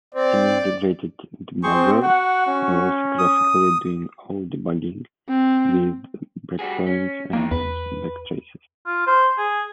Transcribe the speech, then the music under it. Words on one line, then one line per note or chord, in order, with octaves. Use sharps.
An integrated debugger allows graphically doing all debugging with breakpoints and backtraces.
C4 D5
C4 G#4 C5 C#6
F#4 F#5
C#4
D#6
C4
G3 F#4 G#4
C#4
D#3 G#3 A#3 D#4
E2 B4
F4
C5
G#4